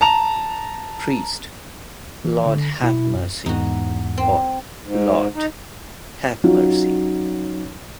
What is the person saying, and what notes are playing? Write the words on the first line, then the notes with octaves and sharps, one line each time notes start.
Priest: Lord, have mercy. All: Lord, have mercy.
A5 A#5 F7
E3
D3
B2 E4
F#2
E2 G#2 D#4 F#4
C4
G#2
D#4
F#3 C#4 D#4 F4